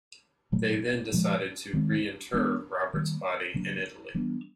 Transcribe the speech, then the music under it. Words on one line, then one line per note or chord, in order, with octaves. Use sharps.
They then decided to re-inter Robert's body in Italy.
A#2 F#3 A3
A#2 F3 G#3
D#3 G#3 C4
E3 G#3 B3 D4
D#3 G3 A#3
C#3 F#3 A#3 D4
E3 G3 B3 D4